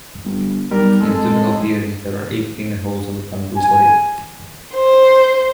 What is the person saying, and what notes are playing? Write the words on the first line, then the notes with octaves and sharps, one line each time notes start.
In the typical piri, there are eight finger holes on the bamboo body.
G1
B1 G3 A#4
F1 G#3 A4
G#5
C5